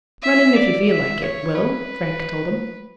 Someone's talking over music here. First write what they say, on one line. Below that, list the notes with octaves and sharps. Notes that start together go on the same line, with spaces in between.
"Run in, if you feel like it, Will," Frank told him.
E5
D5
E5
C#5
B4